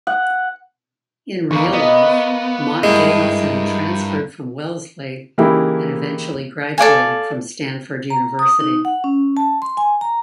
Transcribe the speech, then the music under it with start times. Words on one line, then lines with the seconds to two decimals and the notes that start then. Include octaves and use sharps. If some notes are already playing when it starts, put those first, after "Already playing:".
In real life, Mott Davidson transferred from Wellesley and eventually graduated from Stanford University.
0.07 F#5
1.51 E2 A#3 B3 C#6
1.73 B3 D#5
2.83 G2 G#3 E4 A#4
5.38 C#3 E3 A#3 D#4 E4 G4
6.78 A4 D5 F5 G#5
8.10 A#5
8.39 D#6
8.60 D#4
8.85 F#5
9.04 C#4
9.37 A5
9.62 C6
9.77 G#5
10.01 A#5